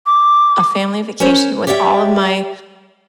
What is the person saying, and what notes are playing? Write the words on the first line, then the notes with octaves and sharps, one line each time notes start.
a family vacation with all of my
D6
C#4 A#4 C5 C#5
G4 C#5 D5 E5 F#5 G5